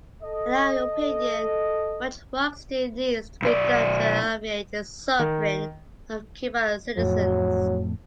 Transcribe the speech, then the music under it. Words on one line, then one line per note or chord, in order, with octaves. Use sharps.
In our opinion, much work still needs to be done to alleviate the suffering of Cuban citizens.
A4 D#5
B1 D5
D#3
F2 A2 F#3